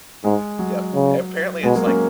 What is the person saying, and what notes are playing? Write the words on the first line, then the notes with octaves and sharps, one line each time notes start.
Yep. And apparently, it's like
G#2 G#3
F#3
C#3
B2 G#3
F#3 A#3
A#3 C#4